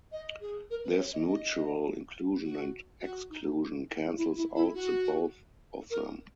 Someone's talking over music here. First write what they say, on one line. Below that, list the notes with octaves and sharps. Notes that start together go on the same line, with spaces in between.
This mutual inclusion and exclusion cancels out the both of them.
D#5
G#4
A#4
B4
C#5
D#5
D#5
F#4
F#4
D#4
E4
E4
E4
F#4
A#4